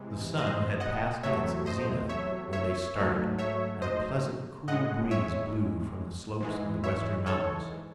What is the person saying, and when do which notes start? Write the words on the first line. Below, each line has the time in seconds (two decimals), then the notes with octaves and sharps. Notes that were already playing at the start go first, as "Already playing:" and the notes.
The sun had passed its zenith when they started and a pleasant, cool breeze blew from the slopes of the western mountains.
Already playing: C3 E3 G#3
0.37 C5 D#5
0.80 D#5 F#5
1.23 E2 C3 F#3 A3 C#5 E5
1.66 C5 D#5
2.09 C#5 E5
2.53 C#5 E5
2.96 G#2 F#3 A3
3.39 C#5 E5
3.82 C5 D#5
4.68 A2 G#3 D#5 F#5
5.11 C#5 E5
6.41 G#2 E3 G#3
6.84 C#5 E5
7.26 A4 C#5